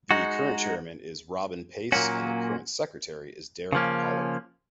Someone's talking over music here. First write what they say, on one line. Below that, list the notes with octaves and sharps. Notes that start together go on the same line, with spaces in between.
The current chairman is Robin Paice and the current secretary is Derek Pollard.
G#3 D#4 F#4
A#2 F#3 A#3 C#4 F#4
C#3 F3 A#3 C#4